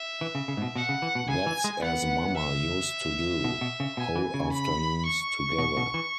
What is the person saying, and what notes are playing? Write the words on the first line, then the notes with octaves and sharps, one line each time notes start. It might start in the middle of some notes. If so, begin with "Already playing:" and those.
That’s as mamma used to do, whole afternoons together.
Already playing: E5
E3
C#3
C#3
G#2
B2
B2 F#5
C#3
E3
B2
C#3 G#5
E3
G#3
B3 F#5
E5
B2
B2
C#3
B2 G#5
E3
C#3
B5
C#6
B2
B2
E3